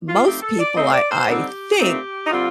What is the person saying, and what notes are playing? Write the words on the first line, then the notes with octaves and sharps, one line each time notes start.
most people I I think
F4
F3 A3 C4 D#4 G4
A4
D5
A#2 A3 C4 D#5
C5
D5
C5
D3 G3 C4 D#4 G4
A#2 A3 C4 D#4
D#4
D3 G3 C4 F4